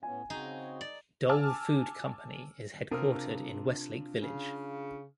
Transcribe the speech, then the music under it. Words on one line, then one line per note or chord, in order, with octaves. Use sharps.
Dole Food Company is headquartered in Westlake Village.
A2 B3 C#4 G#5
C#3 C4 D#4 F#4 G#4
D5
G#5 A5 D6 E6 F6
C3 D4 F4 A#4 D#6 F6
C#3